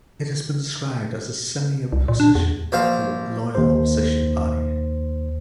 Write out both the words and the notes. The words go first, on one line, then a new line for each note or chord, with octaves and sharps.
It has been described as a "semi-opposition" or "loyal opposition" party.
C2
A#2
D4
E2
A#1 C5 F5
D#2 C5